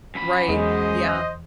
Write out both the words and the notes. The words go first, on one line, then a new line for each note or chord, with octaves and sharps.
Right. Yeah.
F#2 B5
E2 G#3 C5 D#5